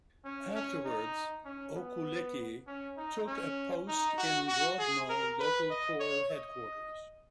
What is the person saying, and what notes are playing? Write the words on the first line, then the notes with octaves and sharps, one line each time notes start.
Afterwards Okulicki took a post in Grodno local corps headquarters.
C#4
C#4
D#4
C#4
B3
C#4
D#4
C#4
D#4
F#4
F#4
G#4
A#4
B4
D#5
C#5
D#5